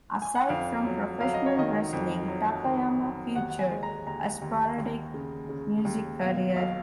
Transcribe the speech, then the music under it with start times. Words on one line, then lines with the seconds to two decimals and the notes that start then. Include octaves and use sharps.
Aside from professional wrestling, Takayama featured a sporadic music career.
0.22 G#5
0.35 F#5
0.49 F2 F5
0.85 F#3
1.20 F#3 F5
1.34 D#5
1.46 C#5
1.57 D#3 D#5
1.93 F2
2.28 F#3
2.63 D#3
2.99 F#3
3.35 D#2 F#5
3.50 F#5
3.59 G#5
3.71 G#3
3.83 A#5
4.07 D#2 A#5
4.42 D#2
4.78 D#2
5.14 C#3
5.49 C#3
5.85 D#2
6.21 B2 F5
6.56 B1 F5